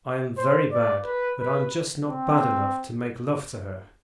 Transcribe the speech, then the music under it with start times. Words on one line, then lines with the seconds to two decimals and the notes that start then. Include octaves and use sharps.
I am very bad, but I'm just not bad enough to make love to her.
0.37 C5
0.72 D5
1.06 B4
1.41 B4
2.09 C4